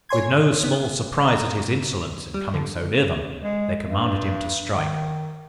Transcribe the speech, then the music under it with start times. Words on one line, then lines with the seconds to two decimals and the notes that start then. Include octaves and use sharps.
With no small surprise at his insolence in coming so near them, they commanded him to strike.
0.09 C#5 G#5 C6 G#6
0.63 B3
1.27 A#5
2.34 G3
2.54 D3
3.44 G#3
3.87 G2
4.76 D#3